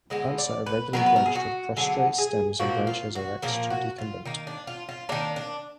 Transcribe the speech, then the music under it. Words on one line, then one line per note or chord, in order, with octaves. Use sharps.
Plants are irregularly branched with prostrate stems and branches erect to decumbent.
D3 G#3 B3 D#5
D5
B4
D3 F#3 B3 A#4
B4
A#4
G#4
F#4
D3 F#3 B3 G#4
G#4
A#2 F3 A#3 F#4
F4
F#4
A#2 F3 A#3 A#4
F#4
F4
D#3 A#3 D#4
D4
F4
F4
D#3 A#3 D4
D4